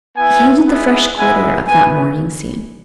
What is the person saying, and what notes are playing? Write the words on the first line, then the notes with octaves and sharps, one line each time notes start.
He hated the fresh glitter of that morning scene.
B3 E4 G#5
G#3 B3 E4
G#3 B3 E4 G#5
B3 E4 G#5